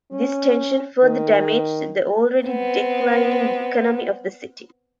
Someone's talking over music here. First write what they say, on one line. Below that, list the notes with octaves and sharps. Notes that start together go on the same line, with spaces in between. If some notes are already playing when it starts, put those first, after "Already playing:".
This tension further damaged the already declining economy of the city.
C#4
D#3
B3 C4